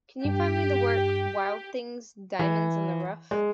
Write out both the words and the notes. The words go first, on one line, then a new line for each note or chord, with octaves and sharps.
Can you find me the work, Wild Things: Diamonds in the Rough?
G2 G4
E3
G#3